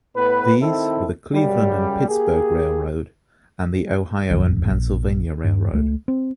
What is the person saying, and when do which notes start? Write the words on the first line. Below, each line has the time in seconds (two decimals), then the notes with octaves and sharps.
These were the Cleveland and Pittsburgh Railroad and the Ohio and Pennsylvania Railroad.
0.16 A2 B3 B4
0.62 D#3 C4 E4 A4
1.34 F#2 C#3 G3
2.09 A#3 G4 G#4
4.30 A#1 E2 D#3 F#3
4.43 D#1 A1 F2
4.70 A#1
5.44 G2
5.72 C#2 A3
6.08 C4